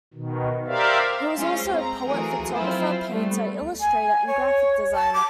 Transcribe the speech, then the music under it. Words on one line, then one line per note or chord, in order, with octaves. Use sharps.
He was also a poet, photographer, painter, illustrator, and graphic designer.
B2 D#3
G4 A#4 C5 D5 E5 F5
G#3 C#4 F4 C5
C4 A#5
E3 F3 A3 F#4 G#4 A#4
F3 F#3 C4 E4 F4 C5
G3 A3 B3
G#5
C#5
A5
D6